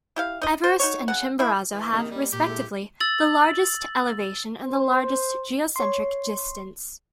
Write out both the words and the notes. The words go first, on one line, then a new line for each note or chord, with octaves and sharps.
Everest and Chimborazo have, respectively, the largest elevation and the largest geocentric distance.
E4 G4 F5
D#4 D#5
C5
D#4 F#4 C#5
C#3 F#5
A#3 E4
E3
A#1 C3 D#3 A#3 D#6
G3 D#5
A#2 G4
G#3 E4 A4
E6 A6 F#7
C5
C#5 C6